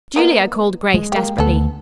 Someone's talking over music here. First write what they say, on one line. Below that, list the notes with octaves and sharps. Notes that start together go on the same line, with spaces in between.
"Julia," called Grace desperately.
A#3 B3 D#4
G#3
A#3 G4
D2 B3 A4